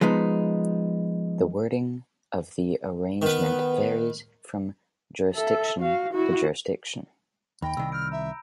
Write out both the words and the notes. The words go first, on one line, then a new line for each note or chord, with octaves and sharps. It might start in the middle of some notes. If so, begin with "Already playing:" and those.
The wording of the arraignment varies from jurisdiction to jurisdiction.
F3 G#3 B3 D#4
D#3 B3 B4
A4 E5
F#4 F5
E4 F#4
D#2 G5 B5 A#6
C2 D#3 E6
F6 G6 D7
E5 A#5